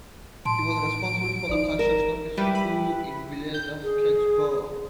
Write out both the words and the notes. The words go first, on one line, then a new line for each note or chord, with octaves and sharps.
He was responsible for the construction of a school in the village of Kexborough.
A2 A5 C6 D7
G1 D#4 D5
A#4 E7
G3 E4 G4 B4
B5
G6
G#4